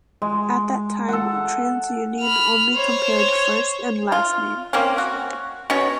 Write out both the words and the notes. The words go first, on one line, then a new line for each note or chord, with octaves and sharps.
At that time, TransUnion only compared first and last names.
G#3
A4 F#5
B5 F6
C5 C#5
F4
A#3 C4 C#4
F#4
B2 C#4 C#5